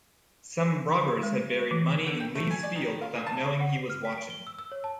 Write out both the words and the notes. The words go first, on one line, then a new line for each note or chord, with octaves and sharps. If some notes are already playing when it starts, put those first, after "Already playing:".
Some robbers had buried money in Li's field without knowing he was watching.
G#3
E3
D3
G5
A3
G#5
D5
D#3
F4
A#2
A5
F#5
C7
F6
B6
D7
G7
E6
E6
C#5
A5